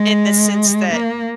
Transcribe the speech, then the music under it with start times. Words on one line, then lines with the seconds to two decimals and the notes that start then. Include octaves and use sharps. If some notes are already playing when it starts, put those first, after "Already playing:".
in the sense that
Already playing: G#3
0.92 A#3